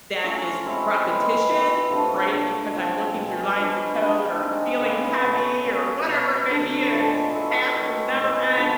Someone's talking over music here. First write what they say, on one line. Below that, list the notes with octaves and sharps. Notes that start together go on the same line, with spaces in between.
that is repetition, right, because I'm looking through lines of code, or I'm feeling heavy, or whatever it may be, or the task will never end
F#3 A3 C#4 F4
G#3 C4 E4 G4
E3 G#3 B3
D#3 F#3 B3 E4
C3 F3 A3 D4
F#3 A#3 D4
C#3 F3 A3 C4
B2 G#3 C#4
F3 G#3 B3 D4
G3 A#3 D4
G#3 C4 D#4
C#3 E3 G#3 B3
B2 F#3 A3
F#3 A#3 C#4
B2 F#3 B3
D3 F#3 B3 D4
A2 F3 G#3
F#3 B3 E4 A4
D#3 G#3 C#4 F#4
B2 G#3 B3 D#4
D3 F3 G#3